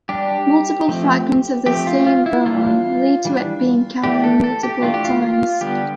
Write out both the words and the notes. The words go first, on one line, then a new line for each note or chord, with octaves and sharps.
Multiple fragments of the same bone lead to it being counted multiple times.
G3 D4 G4
F3 A3 C4
F3 A3 C4 G4
F4
F4
E4
E3 G3 D4 F4
E3 G3 D4
E3 A3 D4 G4
A4
A4
G4
E3 A3 D4 F4
G4
F4
F4
D3 G3 B3 G4